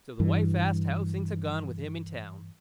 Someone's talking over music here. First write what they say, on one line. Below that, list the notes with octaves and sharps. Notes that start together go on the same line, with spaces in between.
So the wife asked how things had gone with him in town?
G2 E3